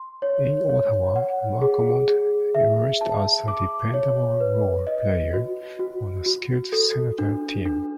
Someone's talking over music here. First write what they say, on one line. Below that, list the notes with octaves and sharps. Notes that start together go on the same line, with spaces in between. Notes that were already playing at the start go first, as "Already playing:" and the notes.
In Ottawa, McAmmond emerged as a dependable role player on a skilled Senator team.
Already playing: C6
C#5
C#5
F#5
G#4
G#4
E5
A5
D6
C#5
B4
D#5
F#4
F#4
F#4
A4
D4
D4